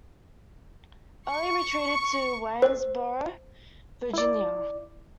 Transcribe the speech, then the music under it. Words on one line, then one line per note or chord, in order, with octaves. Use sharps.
Early retreated to Waynesboro, Virginia.
C#6
C5
E4 D5